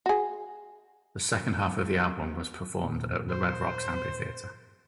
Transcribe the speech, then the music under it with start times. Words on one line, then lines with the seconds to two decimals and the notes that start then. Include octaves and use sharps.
The second half of the album was performed at the Red Rocks Amphitheatre.
0.06 F#4 G#4
2.83 D#2 A#2
3.30 C5